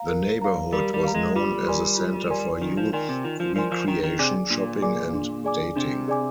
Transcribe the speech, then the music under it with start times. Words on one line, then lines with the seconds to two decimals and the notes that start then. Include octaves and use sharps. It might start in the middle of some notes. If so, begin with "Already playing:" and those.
The neighborhood was known as a center for youth recreation, shopping, and dating.
Already playing: F5 A#5
0.10 A#4
0.42 F5 A#5
0.73 G3 A#4
0.94 G3
1.04 F5 A#5
1.15 G#3
1.35 G3 F4
1.67 A#4 D5 G#5 C6
1.98 F4
2.30 A#4 D5 G#5 C6
2.62 D#3 F4
2.77 F3
2.93 D#3 A#4 D5 G#5 C6
3.09 C3
3.24 D#3 F4
3.40 F3
3.56 F3 A#4 D5 G#5 C6
3.72 F3
3.88 D#3 D4
4.03 D#3
4.19 C3 G#4 D5 G#5 D6
4.51 A#2 D4
4.82 G#4 D5 G#5 D6
5.14 D4
5.44 G#4 D5 G#5 D6
5.76 C3 D4
6.08 G#4 D5 G#5 D6